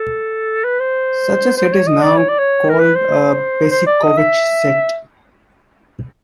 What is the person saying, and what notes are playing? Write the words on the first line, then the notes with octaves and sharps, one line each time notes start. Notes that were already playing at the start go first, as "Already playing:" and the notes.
Such a set is now called a Besicovitch set.
Already playing: A4
B4
C5
C5
C#5
D#5
D5
C#5
D5
C#5
A#4
B4
C5
C5
D5
D#5
E5